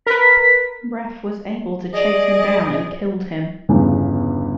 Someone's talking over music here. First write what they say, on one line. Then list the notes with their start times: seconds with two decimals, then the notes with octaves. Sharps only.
Ref was able to chase him down and killed him.
0.07 A#4 B4 B6
1.94 G#4 D5 D#5
3.69 G1 E2 G2 C#3